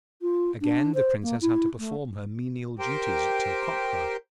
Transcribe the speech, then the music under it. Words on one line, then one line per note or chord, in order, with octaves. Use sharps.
Again the Princess had to perform her menial duties till cock-crow.
F4
D4
C5
A#3
E4
A3
G4 A#4 C5 G5